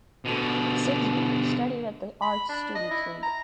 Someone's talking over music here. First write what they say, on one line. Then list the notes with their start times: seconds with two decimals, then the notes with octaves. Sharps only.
Sigsbee studied at the Arts Students League.
0.25 B2 D3
2.22 B5
2.49 D4
2.75 D#5
2.91 E4
3.23 A#5